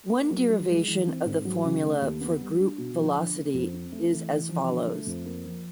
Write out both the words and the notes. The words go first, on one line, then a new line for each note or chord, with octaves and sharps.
One derivation of the formula for group velocity is as follows.
A#3
F#3
F#3
G#3
E3
C4
G#2
F#3
C#3
A3
D#2
B3
G3
D4
B2
F3
D3
A#3
F2
C4
A3
E3
E3
F3
D3
A3
F2
A#3
F3